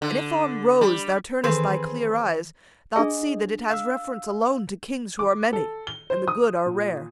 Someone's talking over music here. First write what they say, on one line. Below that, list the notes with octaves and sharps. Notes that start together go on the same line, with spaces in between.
And if on 'rose' thou turnest thy clear eyes, Thou'lt see that it has reference alone To kings who're many, and the good are rare.
D3
G3
D#3 E3 C4 G#4 A4 B4
D4 G#4 D#5 G#5
F5 E6
D6
A4
G7
C5
D#6
A#2